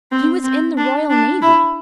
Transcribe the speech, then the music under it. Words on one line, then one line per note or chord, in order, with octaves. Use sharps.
"He was in the Royal Navy!"
C4
C4
D4
D4
E4